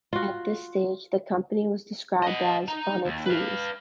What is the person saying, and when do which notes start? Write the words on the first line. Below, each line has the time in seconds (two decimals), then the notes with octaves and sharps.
At this stage, the company was described as: "on its knees".
0.13 F4 F#4
2.22 D#5 F#5
2.68 D#4 A#5
3.05 D#2
3.26 B4 F5